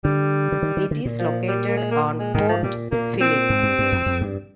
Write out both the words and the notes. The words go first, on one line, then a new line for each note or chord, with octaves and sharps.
It is located on Port Phillip.
D3 G3
D3
D#3
D#3
D3
A#2
F3
G3
A#3
G#3
A#3
G#3
G#2 D#3
F3
A#2 G3
A#2 A#3
C4
G#2
G2
G2
F2
F2
G2